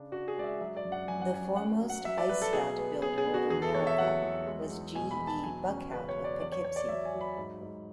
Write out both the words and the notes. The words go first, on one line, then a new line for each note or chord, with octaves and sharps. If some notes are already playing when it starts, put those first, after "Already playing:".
The foremost ice-yacht builder of America was G. E. Buckhout of Poughkeepsie.
Already playing: C#3 D4
D4 F#4
G#4
G#3 D5
E5
F#3 E5
D5
F#2
F#5
F#2 G#5
F#5
C#4 G#5
C#4 F#5
F#3
F#5
F#3 E5
D5
F#3 B4
A4
B2 G#4
B3
B3 G#4
G#4
B3
F#4
E2 G#4
A4
E2 C#5
E5
F#3 F#5
E2
G#3
E2
B2 G#5
B5
E2
A5
F#3 G#5
C#4
C#3 B4
C#5
F#3
D5
E2 D5
C#5
E2 C#5
D5
F#3 E5
G#5
F#3
B5
G#2
G#2